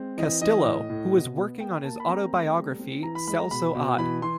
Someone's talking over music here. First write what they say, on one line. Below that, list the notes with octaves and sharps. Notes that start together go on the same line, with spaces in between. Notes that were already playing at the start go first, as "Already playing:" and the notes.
Castillo, who was working on his autobiography Celso Ad.
Already playing: G#3 C4
E3 D#5
E3 D#5
A2
A2
B2
B3
A#3 G5
A#3 A5
B5
C4 A#5
A3
G3
C4
E3 A#5
B5
G#3 B5
A#5
B2 B5
B2
E3 B5
E3 C6